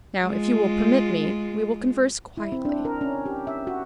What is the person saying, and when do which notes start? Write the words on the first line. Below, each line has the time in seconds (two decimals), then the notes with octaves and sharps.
Now, if you will permit me, we will converse quietly.
0.25 G#3 F4
2.37 E4
2.52 C4
2.65 D4
2.85 A#4
3.01 C#4
3.26 G4
3.47 E5
3.67 F#4